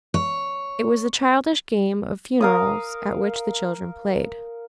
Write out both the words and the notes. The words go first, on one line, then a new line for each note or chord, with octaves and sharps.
It was a childish game of funerals at which the children played.
C#5
A#4 F5 D#6